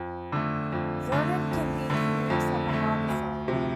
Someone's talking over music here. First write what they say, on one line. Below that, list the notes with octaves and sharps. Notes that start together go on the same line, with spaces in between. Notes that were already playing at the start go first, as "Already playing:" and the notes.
Vernon, can be viewed from the harbor front.
Already playing: F2
D3 A3
F2
D3 A3
F2
D3 A3
F2
D3 A3
D2
C3 F3